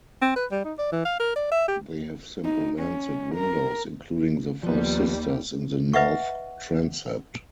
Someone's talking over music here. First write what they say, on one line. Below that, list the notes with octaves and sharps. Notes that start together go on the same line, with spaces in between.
They have simple lancet windows, including the "Five Sisters" in the north transept.
C4
B4
G3
D#4
D5
E3
F5
A#4
D5
E5
G4
D#4
C#4
A#4
D#2 F3 G3 B3
B4 D#5 E5 F#5 C#6